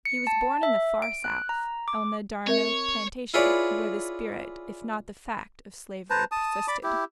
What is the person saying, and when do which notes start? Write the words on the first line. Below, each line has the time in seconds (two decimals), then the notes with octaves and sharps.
He was born in the Far South, on the d'Arnault plantation, where the spirit if not the fact of slavery persisted.
0.05 C#7
0.27 A5
0.63 E5
1.02 D7
1.24 F#6
1.49 A#5
1.88 D6
2.47 C4 A#4 C#5 E5
3.34 E4 F4 G#4 B4 C#5 D5
6.10 B4 C5 A5 A#5
6.32 A5 D#6
6.68 D5 B5 D6
6.83 E4 G4